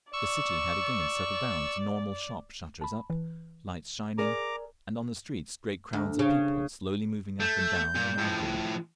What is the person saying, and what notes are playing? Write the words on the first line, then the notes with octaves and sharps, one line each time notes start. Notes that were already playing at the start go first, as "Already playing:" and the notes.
The city had again settled down to normal--shop-shutters up, lights shining, and on the streets great crowds of people slowly moving up and down and arguing....
D5 C#6 E6
A5 B5
E3 B4
G#4 A#4 D5 A#5 D6
D2
C#3
A3 G6
A#2
A2 F3